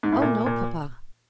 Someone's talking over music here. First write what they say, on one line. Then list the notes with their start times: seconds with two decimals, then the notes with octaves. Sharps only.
"Oh no, papa."
0.03 G#2
0.12 A2
0.22 A#2
0.46 A#2